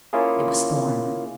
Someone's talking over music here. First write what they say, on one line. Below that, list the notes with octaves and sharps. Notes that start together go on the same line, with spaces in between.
It was Thorn.
A#3 C#4 E4 F4 G#4